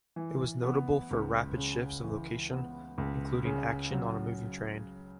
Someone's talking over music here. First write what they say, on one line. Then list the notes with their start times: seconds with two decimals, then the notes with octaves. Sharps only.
It was notable for rapid shifts of location, including action on a moving train.
0.16 E3
0.63 B3
1.11 C#2
1.57 C#3
2.04 E3
2.51 B3
2.98 C#2
3.45 C#3
3.92 F#3